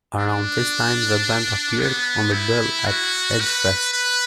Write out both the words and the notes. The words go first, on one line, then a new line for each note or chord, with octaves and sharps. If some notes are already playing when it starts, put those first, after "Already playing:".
Around this time the band appeared on the bill at Edgefest.
D4
B3
E4
F#4
B4
B4